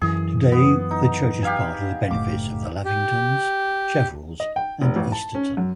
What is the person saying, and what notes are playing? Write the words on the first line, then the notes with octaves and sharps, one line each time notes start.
Today the church is part of the benefice of the Lavingtons, Cheverells and Easterton.
F#2 E3 G#4
B3
D#4
G4 F5 G#5
F#1 A2 A3 D6
G4
D#5
G5
F1
A1
A5
C#4
F#2